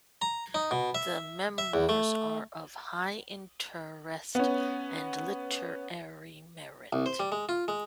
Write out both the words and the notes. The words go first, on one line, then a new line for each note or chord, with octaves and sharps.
The "Memoirs" are of high interest and literary merit.
A#5
D#4
B2
E5
E5
E2
A3
B3 C#4
C2
C5
G3
G#3
F4
G#3